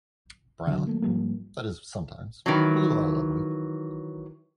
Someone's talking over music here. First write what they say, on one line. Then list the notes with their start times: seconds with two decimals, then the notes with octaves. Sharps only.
Brown — that is, sometimes; blue are lovely.
0.67 D3 F#3
0.87 F#3 A3 A#3
1.02 G#2 F3 G3 A#3
2.46 D#3 E3 F#3